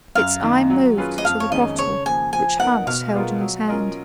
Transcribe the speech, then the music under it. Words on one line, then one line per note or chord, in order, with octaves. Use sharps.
Its eye moved to the bottle which Hans held in his hand.
F#2 F5
D#3 A#3
F#3
C#4 F4 G#4 B4
D#5
F2 F5
C#5
D#3 G#3 C#4 D#5
C#3 C#5
F3 A#3 G#5
F3 G#5
B3 D#4 A#4 D#5 F#5
B2 F5
G#3 B3 F4 A#4
F#3
C#4 F4 A#4 D#5